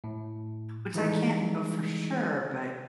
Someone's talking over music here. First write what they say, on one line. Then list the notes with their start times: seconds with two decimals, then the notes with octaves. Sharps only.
which I can't know for sure, but
0.04 A2
0.95 D#3 E3 G3 G#3 D#4